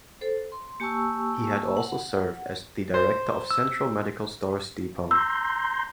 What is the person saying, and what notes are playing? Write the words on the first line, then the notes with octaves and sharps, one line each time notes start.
He had also served as the Director of Central Medical Stores Depot.
A4 C5
C6
A#3 G4 G#5 A5 C#6 E6
F#5
C5
E6
A#5 C6 E6 G6